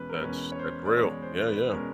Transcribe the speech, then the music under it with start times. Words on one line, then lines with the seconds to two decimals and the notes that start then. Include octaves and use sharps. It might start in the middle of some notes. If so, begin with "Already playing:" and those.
That's that's real. Yeah, yeah.
Already playing: E2 B2 G#3 C#4 B4
0.09 A#4
0.21 E2 B2 G#3 C#4 B4
0.52 C#5
0.59 C5
0.86 D5
0.97 E2 B2 G#3 C#4 C#5
1.22 C5
1.48 B4
1.73 B2 G#3 C#4 A#4